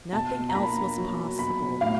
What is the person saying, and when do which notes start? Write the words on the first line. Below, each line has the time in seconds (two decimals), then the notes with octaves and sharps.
Nothing else was possible.
0.12 B2 A5
0.49 A#5
0.55 A#3 B5
0.98 F#3
1.39 B2 B5
1.81 A2 F5